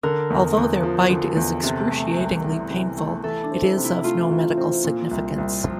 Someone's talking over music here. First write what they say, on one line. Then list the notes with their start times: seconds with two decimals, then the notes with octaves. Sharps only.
Although their bite is excruciatingly painful, it is of no medical significance.
0.03 D3 A#4
0.30 E2
0.57 E2
0.83 F3
1.10 D3
1.37 E2
1.63 C3 A4
1.90 A3
2.17 C2
2.44 E3
2.70 C3
2.97 A3
3.24 E3 A4
3.43 D4
3.51 C4
3.64 E4
3.77 C3
3.84 E4
4.04 A3 F4
4.31 E3
4.58 C4
4.84 A#2
5.11 C2
5.38 C2
5.64 F3 F4